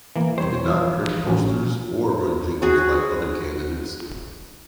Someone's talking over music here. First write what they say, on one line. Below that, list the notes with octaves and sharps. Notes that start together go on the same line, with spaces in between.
He did not print posters or run jingles like other candidates.
E3 A#3
B1 G3 C5 C#5
E3 F3
A1 C#4
F#4 G#4